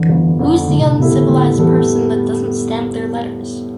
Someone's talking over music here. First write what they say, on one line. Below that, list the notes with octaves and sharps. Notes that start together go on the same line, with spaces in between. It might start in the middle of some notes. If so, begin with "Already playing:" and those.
Who’s the uncivilized person that doesn’t stamp their letters?
Already playing: F2 D3 E3
G1
F2 D3
A2 D3
B2
C3
C3 G3 B3 E4 A4
D3
A2 D3
E3 G3 B3 E4 A4